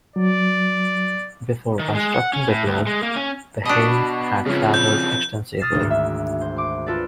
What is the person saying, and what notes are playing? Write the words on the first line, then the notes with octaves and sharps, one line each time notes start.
Before constructing the globe, Behaim had traveled extensively.
F#3 D5
D#3
G#3
F#5
C#4
A2
D2
G#3
A#3
C#4
B2 D4 D#5
F2 C#3 E3 F3
G6
D#6 F6 A6 B6 C7 E7
G#1 D2
E5
C5
C6 D6
F4 A4 B4 D5